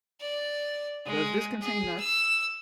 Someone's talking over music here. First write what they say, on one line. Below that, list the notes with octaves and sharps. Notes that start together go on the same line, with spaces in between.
Does this contain nuts?
D5
G#3
G#4
E6